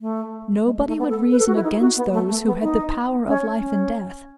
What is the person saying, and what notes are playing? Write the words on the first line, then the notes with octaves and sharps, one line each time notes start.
Nobody would reason against those who had the power of life and death.
A3
G#3
A3
A3
B3
A4
B4
A4
F#4
E4
D#4
F#4
B3
A3
A3
B3
D#4
C#4
C#4